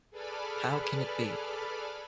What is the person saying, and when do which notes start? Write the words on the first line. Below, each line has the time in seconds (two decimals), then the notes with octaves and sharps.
How Can it Be?
0.11 G#4 A4 B4 D5 B5 F6